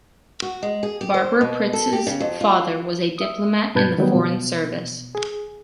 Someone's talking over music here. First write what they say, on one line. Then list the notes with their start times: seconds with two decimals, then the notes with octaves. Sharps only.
Barbara Pritz’s father was a diplomat in the foreign service.
0.42 F#4
0.63 G#3
0.83 G#4
1.01 G4
1.14 C5
1.41 B2
1.73 A4
1.93 G4
2.07 C#3
2.20 F2
2.41 F4
3.18 E5 D#6
3.75 G2 B2 B4 A5 G6 G#6
3.98 D#3 F#3 G3 B3
4.16 B2
5.15 G#4